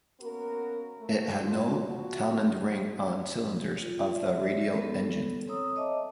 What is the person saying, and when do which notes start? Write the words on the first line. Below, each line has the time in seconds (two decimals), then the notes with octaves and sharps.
It had no Townend ring on cylinders of the radial engine.
0.20 A#3 B3 C#4 F#4 A#4
0.98 A3
1.41 D#3 E3 F#3 A#3 D4 F4
1.85 F3 F#4
3.82 F4
4.15 D5 E5
4.79 B3 A4
5.47 C4 A4 C#5 A#5 D#6 E6
5.76 C#5 D#5 E5 A5 D6